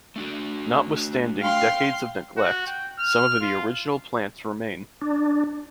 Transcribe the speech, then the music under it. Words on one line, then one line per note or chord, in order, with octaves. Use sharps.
Notwithstanding decades of neglect, some of the original plants remain.
A3 D4 F#4
F5 G5 C6
F#4
G5
F6
F4
D4